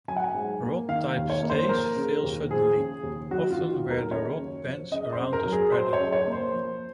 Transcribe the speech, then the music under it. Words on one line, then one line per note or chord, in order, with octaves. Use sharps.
Rod-type stays fail suddenly, often where the rod bends around a spreader.
F#3 G#5
F#5
G#5
G#2
A#3
D#3 F5
D#2
C#5
A#3
C5
F3 A#4
C#3
D#2
F3 G#4
C#3
D#2
F#3 F#4
F4
D#3
F#4
D#2
A#4
C#3 C#5
F#2
F3
C#3 D#5
C5
F#2
A#4
F#3
G#4
F#3 C5
C#5
C#3
C#5
A#3
C5
F3